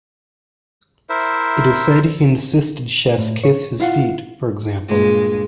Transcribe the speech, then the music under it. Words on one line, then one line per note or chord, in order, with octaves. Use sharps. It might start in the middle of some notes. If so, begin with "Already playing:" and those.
It is said he insisted chiefs kiss his feet, for example.
E4 A#4 C5 E5
A2
C#5
E4 F4 F5 F#5
G2 A#2 G#3